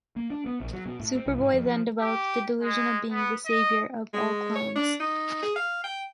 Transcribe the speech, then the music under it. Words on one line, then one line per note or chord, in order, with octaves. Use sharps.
Superboy then develops the delusion of being the savior of all clones.
A#3
D4
B3
A#1
F#3
B2
A2
C4
C2
G#2
F2
F3
G4
G#3
B3
D#5
G#3
C#5
D4
D#4
G#4
F5
G5